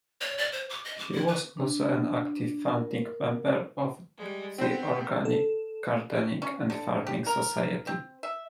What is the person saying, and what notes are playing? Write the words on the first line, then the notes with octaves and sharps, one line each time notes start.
He was also an active founding member of the Organic Gardening and Farming Society.
C#5
D5
C5
D6
D#5
D6
E4
B4
D4
A#4
G3 G#3
B3 C4 C5
A4
C#4
D3
G4
A#4
C4
E5